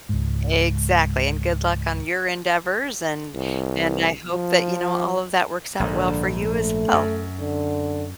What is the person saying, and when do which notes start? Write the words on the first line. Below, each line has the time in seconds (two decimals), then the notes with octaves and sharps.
Exactly, and good luck on your endeavors, and and I hope that, you know, all of that works out well for you, as well.
0.09 C#2 G#2
3.35 C2
4.31 F3
5.80 A#1 G#2 D3
6.42 A3
6.93 F#2
7.40 D3